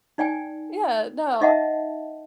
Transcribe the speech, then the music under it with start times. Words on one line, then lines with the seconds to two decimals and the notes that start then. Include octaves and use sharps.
Yeah, no.
0.18 D#4 D5 G5 G#5
1.41 D#4 D#5 E5 F#5 A5